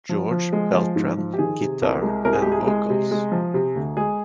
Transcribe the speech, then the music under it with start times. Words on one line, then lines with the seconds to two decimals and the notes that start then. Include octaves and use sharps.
Jorge Beltran: Guitar and Vocals.
0.09 F3
0.31 F3
0.53 G#3
0.73 F3
0.96 G#2
1.17 F3
1.34 G4
1.39 D#3 G#4
1.61 C3
1.82 C2 A#4
2.02 G#3
2.25 C2 A#4
2.33 G#4
2.42 G#3 G4
2.52 G#4
2.67 G#3
2.90 C3
3.11 G#3
3.32 F3
3.54 C3
3.75 D2
3.97 G#3 G#4